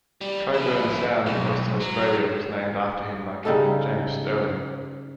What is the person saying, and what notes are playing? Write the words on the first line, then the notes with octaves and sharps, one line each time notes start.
Cockburn Sound in Western Australia was named after him by Captain James Stirling.
G3
F3 E4
B1
F#3
C#3 G3 D#4 A4